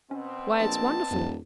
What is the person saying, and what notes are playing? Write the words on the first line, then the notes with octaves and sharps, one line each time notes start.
Why, it's wonderful!
B2 C4 C#4
A#1 A5
D#1 F2 A2